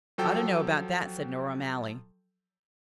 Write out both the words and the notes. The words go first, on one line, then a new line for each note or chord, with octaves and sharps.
"I don't know about that," said Nora O'Malley.
F3 F#3 A4 G5